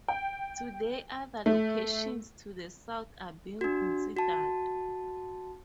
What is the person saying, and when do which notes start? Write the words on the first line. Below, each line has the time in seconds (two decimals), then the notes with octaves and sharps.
Today other locations to the south are being considered.
0.08 G5
1.46 A3
3.61 D4 F#4
4.17 F#4 A5